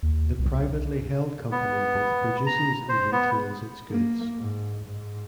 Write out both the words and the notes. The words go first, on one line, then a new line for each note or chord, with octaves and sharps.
The privately held company both produces and retails its goods.
D#2
C2
B3
A#5
C5
B3
A#3
G#2
G#2